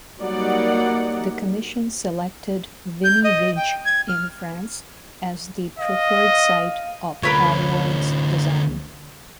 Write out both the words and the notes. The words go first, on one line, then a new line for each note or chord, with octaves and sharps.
The commission selected Vimy Ridge in France as the preferred site of Allward's design.
F#3 G3 A#3 D#4 D5 F#5
G6
D#5
G5
G#6
F6
D#5 F5
D2 F4 A#4 B4 C#5